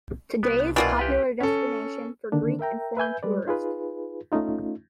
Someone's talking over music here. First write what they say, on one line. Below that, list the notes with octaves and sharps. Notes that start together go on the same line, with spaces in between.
Today is a popular destination for Greek and foreign tourists.
C2 B3
B2 E3 A#3 D4 F4 D5
G4 B4
C#4 A4
D3 D#3 A#3 D4
A#4 E5 G5 A#5
B4 E5 G#5 G6
G3 G#3 B4 D5
D#4 F4 G#4 B4
A3 C#4 D#4 F4